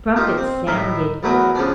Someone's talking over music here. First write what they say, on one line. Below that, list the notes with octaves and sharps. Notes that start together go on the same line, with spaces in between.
Trumpets sounded.
A#3 D#4 F4 G4
C4
A2 D#3 A#4 E5
E2 F#3 A3 B3 F#4 A#4
C#3 F3 C#4 D4